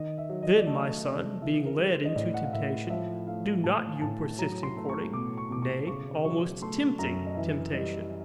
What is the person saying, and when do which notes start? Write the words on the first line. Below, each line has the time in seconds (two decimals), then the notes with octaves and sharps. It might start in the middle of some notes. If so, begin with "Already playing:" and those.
Then, my son, being led into temptation, do not you persist in courting, nay, almost tempting temptation.
Already playing: D#3 D#5
0.18 E5
0.29 F#3
0.43 D#5
0.59 D5
0.67 A3 D#5
1.04 C3 D5
1.41 E3 E5
1.66 A#4
1.78 G#3
1.91 C5
2.05 D#5
2.15 A2 D5
2.34 F#5
2.43 F5
2.53 A2 E5
2.90 F3 E5
3.27 A3 F5
3.64 A2 A5
3.96 G#5
4.02 A2 A5
4.38 F#3 A#5
4.63 C6
4.76 A3
4.89 C#6
5.13 B2 D6
5.38 C#6
5.50 B2 D6
5.62 C#6
5.87 C#3 C#6
6.25 F#3 C#6
6.62 A3 C6
6.99 F#2 A#5
7.26 D#5
7.36 E3 E5
7.73 G3 D#5